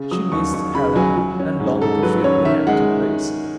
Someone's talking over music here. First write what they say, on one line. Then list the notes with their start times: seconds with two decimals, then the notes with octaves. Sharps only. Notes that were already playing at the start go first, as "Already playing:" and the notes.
She missed Helen, and longed to fill the empty place.
Already playing: C#3
0.11 F#3 D#6
0.32 D#2 C#6
0.54 D#2 C#6
0.74 C#3 B5
0.96 F#3 G#5
1.17 F#3
1.40 C#4
1.60 G#2
1.82 G#2 A4
2.03 F#3 B4
2.24 C#4 C#5
2.45 D#3 E5
2.67 G#3 F#5